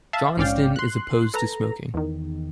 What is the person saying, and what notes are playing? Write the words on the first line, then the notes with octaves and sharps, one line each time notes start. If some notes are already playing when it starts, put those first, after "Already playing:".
Johnston is opposed to smoking.
E5 F5 A5
A#1 G#2 C#4 D5 F5 G5
C6 F#6
A4 B4 A#5
E2 D#3